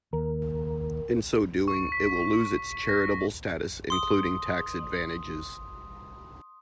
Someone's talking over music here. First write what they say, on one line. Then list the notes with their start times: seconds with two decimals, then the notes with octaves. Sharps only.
In so doing it will lose its charitable status including tax advantages.
0.13 D#2 A#4
1.68 C#6
1.92 B6
2.89 A#6
3.90 C6 D#6